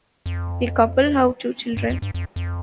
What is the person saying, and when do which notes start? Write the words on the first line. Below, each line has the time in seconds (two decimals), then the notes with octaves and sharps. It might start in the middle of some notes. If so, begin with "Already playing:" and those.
The couple have two children.
0.26 F2
1.77 G2
1.90 F2
2.02 G2
2.14 F2
2.36 F2